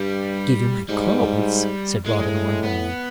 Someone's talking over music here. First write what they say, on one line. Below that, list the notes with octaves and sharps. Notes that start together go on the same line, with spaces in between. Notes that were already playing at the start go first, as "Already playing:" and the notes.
"Give you my clothes?" said Robin, wonderingly.
Already playing: G2 G3
G#2 G3
A2 G#3
B3